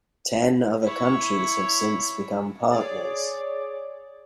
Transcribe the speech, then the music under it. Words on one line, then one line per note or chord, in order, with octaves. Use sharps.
Ten other countries have since become partners.
E4 C#5
G#4 C#5 D5 D6